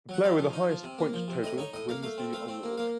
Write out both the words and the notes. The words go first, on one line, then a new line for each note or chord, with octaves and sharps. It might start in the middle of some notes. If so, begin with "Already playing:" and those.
The player with the highest point total wins the award.
F#3 F#5
C4 F5
F3
D#4
F3
C3
A#3
F3
C3
A2 D#5
D#4 C#5
A2 D#5
A#3 F5
A3 F5
C4
A3 F5
C4
A#3
A#3 F5